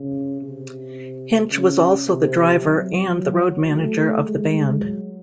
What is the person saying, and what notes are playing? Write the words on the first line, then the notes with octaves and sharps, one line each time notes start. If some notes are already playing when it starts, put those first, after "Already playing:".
Hinch was also the driver and the road manager of the band.
Already playing: C#3
C3
C#3
C3
F#3
F#3
A3
G#3
F#3